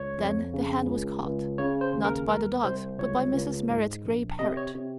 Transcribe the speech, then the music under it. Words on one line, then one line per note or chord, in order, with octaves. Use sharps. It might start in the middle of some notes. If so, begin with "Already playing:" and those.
Then the hand was caught, not by the dogs, but by Mrs. Merrit's gray parrot.
Already playing: C#2 C#5
F2
C#3
C#2
C#2
C#3 C#5
C5
D#2
A#4
C2 A#4
C2 C5
C#2 C#5
C#2
G#2
A#1
C3 D#5
C#5
C3